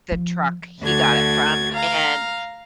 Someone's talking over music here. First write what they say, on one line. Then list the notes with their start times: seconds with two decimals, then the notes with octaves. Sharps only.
the truck he got it from, and
0.12 F3
0.81 D2 D3 F#4 G#6 A6
1.74 F5 A#5